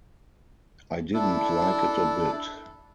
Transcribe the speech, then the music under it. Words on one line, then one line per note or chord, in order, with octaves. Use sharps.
I didn’t like it a bit.
D4 E4 A4